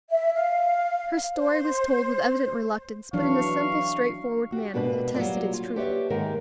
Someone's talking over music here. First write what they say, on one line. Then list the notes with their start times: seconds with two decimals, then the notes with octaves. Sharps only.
Her story was told with evident reluctance, but in a simple, straightforward manner, that attested its truthfulness.
0.10 E5
0.34 F5
1.37 C5
3.13 E3 F#3 D4 F5 C#6
4.52 F#4 G4
4.73 G#2 B2 A#3 D4 A4 B4
5.15 F#3 G3 A#3 F4 D5
5.53 F4
5.76 G4 B4 C#5 D5 E5
6.10 D#2 G#2 D#3 G#3 A#4 F#5